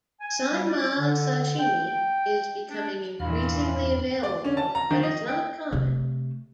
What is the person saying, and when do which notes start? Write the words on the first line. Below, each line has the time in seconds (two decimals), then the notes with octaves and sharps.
"Sanma" sashimi is becoming increasingly available but is not common.
0.20 G#5
0.52 G3
0.69 D5
0.98 D3
1.59 G5
2.70 D4
3.20 E2 G2 A#2 E3 F4 B5 F6
4.23 D5
4.44 C#4
4.57 A5
4.75 A#5
4.91 D#3
5.03 D#5
5.28 G5
5.73 C3 A3